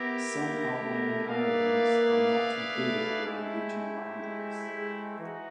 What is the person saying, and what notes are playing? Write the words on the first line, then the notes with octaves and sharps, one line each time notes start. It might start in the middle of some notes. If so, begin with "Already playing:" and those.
Some outlying islands are not included within regional boundaries.
Already playing: B3 E4 G4 A#4
A#3
A3
A#3 E4 G#4 B4 D5 F5
A3
G#3 A3 C4 E4 G4
G#3
G#3
E3 D#4 F#4